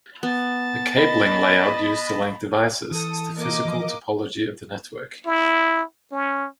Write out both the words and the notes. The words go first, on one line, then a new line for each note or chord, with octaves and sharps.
The cabling layout used to link devices is the physical topology of the network.
B3 A5 A6
D#5 B5
E3 A4 D#6
A#3 D#5 D6
E3 F3
E4
C#4